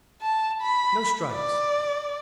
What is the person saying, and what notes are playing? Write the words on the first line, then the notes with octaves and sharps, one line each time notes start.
No strikes!
A5
B5
D5